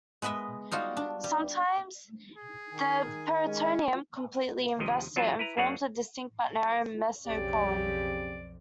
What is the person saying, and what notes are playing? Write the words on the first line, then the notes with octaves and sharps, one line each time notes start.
Sometimes the peritoneum completely invests it and forms a distinct but narrow mesocolon.
G#3 B3 B4 D#5 E5
G3 D#4 F4 F#4
D4
G3
G#4
D#3 G#5
G#3 C#4
D#2 C3 F3 D#5
E2 F#3 D4 F4 G#5 A5
E4 B4 A#5
F#2 A#3 D4 G#4 C#5 F#5
B1 F2 C#3 C4 G4 D5